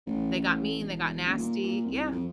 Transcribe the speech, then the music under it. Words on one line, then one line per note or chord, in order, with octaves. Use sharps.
They got mean, they got nasty yeah.
A1
A1
E1
D#1
A#2
A#2
C2
F2